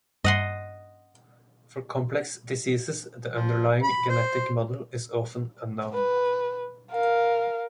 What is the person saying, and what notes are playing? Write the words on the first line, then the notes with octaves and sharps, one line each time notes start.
For complex diseases, the underlying genetic model is often unknown.
G2 D#5 F#5 C6
F3
B5
C5
B4
A#4 F5